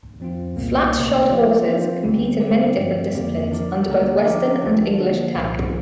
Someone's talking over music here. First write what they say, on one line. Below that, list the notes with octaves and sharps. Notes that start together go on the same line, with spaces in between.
Flat-shod horses compete in many different disciplines under both western and English tack.
F2 F3 C4 F4
C2 A#2 A#3
D2 C3 A#3 G4 C5
F3 A#3 F4 A#4 D5
F3 C4 F4 C5
D2 D3 G3 C4
D3 G3 C4 A#4 D5
G2 F3 C4
F2 D3 A#3 F4 D5
F3 D4 A#4 D5
D2 D3 A#3 G4 A#4
F3 D4 G4 A#4 D5
D2 D3 F3 D4
D3 F3 A#3
C2 A#2 F3